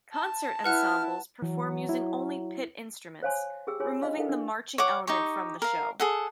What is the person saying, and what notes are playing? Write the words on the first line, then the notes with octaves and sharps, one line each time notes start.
Concert ensembles perform using only pit instruments, removing the marching element from the show.
A5
E4 B4 F#5 F6 F#6
E3 F#3
E4
C5 C#5 F5 G#5 A5 C6
G4 G#4 G5 E6
F4 G4 G#4 C#5 G#5 C6
D4 D#4 F4 D#5 F5 C6
E4 A4 A#4 F5 G5
D4
C#5 F#5 D6
D#4 G4 C#6
A#4 F5
G#4 A4 F#5